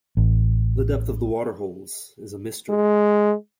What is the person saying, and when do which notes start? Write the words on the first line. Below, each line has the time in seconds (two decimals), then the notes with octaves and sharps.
The depth of the waterholes is a mystery.
0.17 A1
2.70 G#3